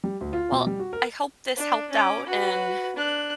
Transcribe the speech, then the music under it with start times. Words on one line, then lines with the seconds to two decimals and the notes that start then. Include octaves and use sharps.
well, I hope this helped out, and
0.04 G3
0.21 D2
0.33 F4
0.52 B2
0.67 G3
0.79 F#4
0.93 A#4
1.57 D4
1.91 C#4 D6
2.26 F#4 B4
2.96 D4 F#6